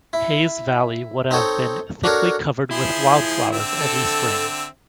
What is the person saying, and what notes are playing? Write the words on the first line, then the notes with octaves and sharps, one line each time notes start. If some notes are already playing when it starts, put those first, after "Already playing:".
Hayes Valley would have been thickly covered with wildflowers every spring.
E4
C4 D#4 A4 C#5
D4 F#4 A4 A#4 C#5
F3 E4 G#4 C6
D3 C4 E5
A4